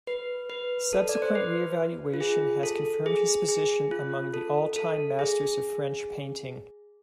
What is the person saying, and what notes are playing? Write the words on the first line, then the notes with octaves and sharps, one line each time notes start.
Subsequent reevaluation has confirmed his position among the all-time masters of French painting.
B4
B4
A4
D5
C5
B4
F4
G#4
A4
G#4
G#4
F4
A4
A4
G#4